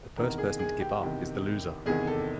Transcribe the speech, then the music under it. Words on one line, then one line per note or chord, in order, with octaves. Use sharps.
The first person to give up is the loser.
E2 C3 D#3 A#4
G#4
G#4
G4
E2 C3 D#3
E2 C3 D#3 G#4
A4